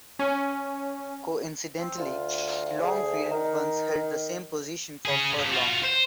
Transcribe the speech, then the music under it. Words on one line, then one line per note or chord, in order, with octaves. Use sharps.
Coincidentally, Longfield once held the same position for Furlong.
C#4
C4
D2 F4
G#4
D#3 A#4
C#4 G#4
A#2 F3
F4 F#4
C5